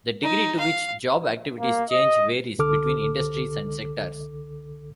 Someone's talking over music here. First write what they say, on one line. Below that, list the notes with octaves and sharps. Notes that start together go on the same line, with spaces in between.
The degree to which job activities change varies between industries and sectors.
D#4
F5
A#3
D#5
C2 D3 A4 D6 F6